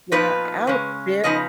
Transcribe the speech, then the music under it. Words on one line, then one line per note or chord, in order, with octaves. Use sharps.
Yeah, I was very
A#2 F3 B3 D#4 B4
C#3 G#3 C#4
C#3 F3 B3 D#4 D#5